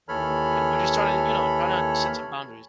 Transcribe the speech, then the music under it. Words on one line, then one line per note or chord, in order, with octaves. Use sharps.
And we're just starting, you know, trying to set some boundaries.
D#2 E3 A4 C#5 B5 F6